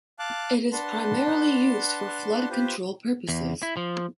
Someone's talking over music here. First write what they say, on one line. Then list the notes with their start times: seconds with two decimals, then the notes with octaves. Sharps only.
It is primarily used for flood control purposes.
0.19 F5 A5 D6 F#6
0.72 D4 B4 F#5 A5 C6
2.50 F4 G4 B4 C5
3.28 E2
3.63 E4
3.77 F3